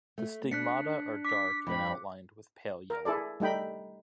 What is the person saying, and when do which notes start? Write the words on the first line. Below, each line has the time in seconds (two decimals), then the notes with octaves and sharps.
The stigmata are dark and outlined with pale yellow.
0.18 A3
0.51 D4 F#6 B6 C#7
1.25 D6 B6
1.67 F2 C4 B5
2.90 A#4
3.05 E4 G#4 A4 D5
3.40 G3 A3 D#4 G5 B5